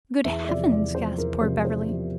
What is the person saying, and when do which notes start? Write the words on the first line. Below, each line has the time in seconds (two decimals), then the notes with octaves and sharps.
"Good heavens!" gasped poor Beverly.
0.25 E2 E5
0.45 E5
0.49 C3 F3 D5
0.72 E2 D5
0.95 C3 F3 C5
1.18 E2 A#4
1.41 C3 F3 C5
1.65 E2 C5
1.88 C3 F3